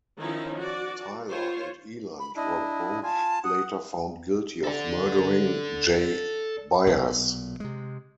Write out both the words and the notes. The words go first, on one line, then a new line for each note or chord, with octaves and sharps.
Tyler and Eiland were both later found guilty of murdering Jay Bias.
D#3 F3 C#4 D#4 E4
F#4 D5
F4 C5 C#5
B5
D4 E4 D#5
F4 G#5 A5
F#5 D#6
A4 D5
B1 A#2
C3 G#3